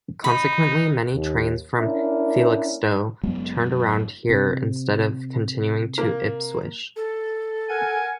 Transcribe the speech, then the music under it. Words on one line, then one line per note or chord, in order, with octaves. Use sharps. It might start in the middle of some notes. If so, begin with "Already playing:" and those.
Consequently, many trains from Felixstowe turned around here instead of continuing to Ipswich.
D#4 B5
D#2
A#3 C#4 D4 E4 A#4
F#1 F#3 G#3 B3
C3
A#3
A4
A#4 F#5 G#5